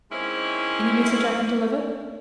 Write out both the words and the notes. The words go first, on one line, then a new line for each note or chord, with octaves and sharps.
"Any message I can deliver?"
G#3 A#3 C4 C#4 D#4 E4